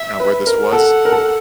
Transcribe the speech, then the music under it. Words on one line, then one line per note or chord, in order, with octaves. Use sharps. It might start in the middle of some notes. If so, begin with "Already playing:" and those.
uh, where this was,
Already playing: E5
B4
A#4
A4 F#5
A#4
A4